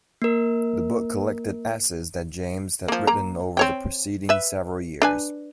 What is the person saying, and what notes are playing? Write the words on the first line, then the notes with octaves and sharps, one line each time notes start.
The book collected essays that James had written over the preceding several years.
A#3 A#4
F3 A#3
A#3 A#5
C4 C#5 G5
B4 E5
D4 B4 G#5